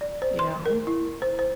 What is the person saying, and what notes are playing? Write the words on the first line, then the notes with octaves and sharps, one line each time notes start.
You know?
D5
C5
C6
A#4
E4
C5
C5